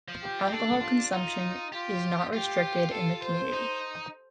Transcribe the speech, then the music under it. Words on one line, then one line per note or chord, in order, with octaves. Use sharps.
Alcohol consumption is not restricted in the community.
F3
G4
C4
D4 A4
F4
D#4
F4 G4
F4 G4
A4
C5
D#4